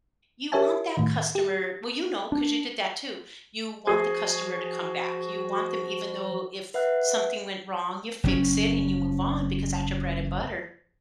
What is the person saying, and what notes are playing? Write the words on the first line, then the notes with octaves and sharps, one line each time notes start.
you want that customer well, you know, 'cause you did that too you want the customer to come back, you want them even though if something went wrong, you fix it and you move on because that's your bread and butter.
G4 A#4 C#5 E5 G#5 A5
A2 D#3
G4
D4
F3 F#4 G#4
B4 E5 F#5 F#6
F#1 C3 C#4